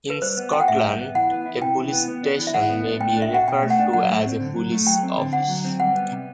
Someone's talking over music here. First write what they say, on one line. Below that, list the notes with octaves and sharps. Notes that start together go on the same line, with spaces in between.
In Scotland a Police Station may be referred to as a Police Office.
B4
G3 C5
B3
F#4 G5
F#5
A2 E5
G3
B3
E3 F#5
B3
E4
C3 G5
E3
B3
B3
D4
E3
E5
E3 F#5
B3
D4
A3 G5
D4
E5
F#4 F#5
B2 G5
A3
F#5
D4
F#3 F#5
A3
C4
D3
F#3
A3
F#3 G5
C4
D3
D3 F#5
F#3
C4
G3 F#5
B3
C3